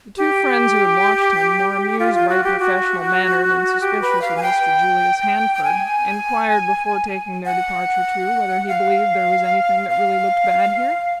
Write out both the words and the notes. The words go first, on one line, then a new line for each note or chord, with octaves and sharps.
The two friends who had watched him, more amused by the professional manner than suspicious of Mr Julius Handford, inquired before taking their departure too whether he believed there was anything that really looked bad here?
G4
F4
F4
F#4
G4
F#4
G4
B4
F5
G#5
G5
G5
G#5
F#5
F5
F5